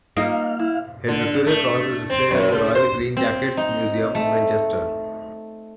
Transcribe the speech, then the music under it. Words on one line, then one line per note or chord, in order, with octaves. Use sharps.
His Victoria Cross is displayed at the Royal Green Jackets Museum, Winchester.
A#3 D#4 F4 D#5 F5
E4
D3
A3
C4
F#2
C#3
C5
C4
D#4
A3